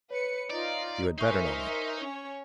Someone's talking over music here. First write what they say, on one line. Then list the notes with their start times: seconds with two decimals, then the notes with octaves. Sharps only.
You had better know me.
0.10 B4 C#5 C#7
0.50 D#4 F4 D5
1.18 D#4 A#4 C5 C#5 E5 G#5 C#6 C7
2.00 C#4 C#5